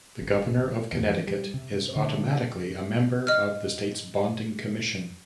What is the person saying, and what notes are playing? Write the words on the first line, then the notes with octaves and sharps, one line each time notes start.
The Governor of Connecticut is automatically a member of the state's Bonding Commission.
G#1
E2
E3
G3
C3
D3
D#5 F6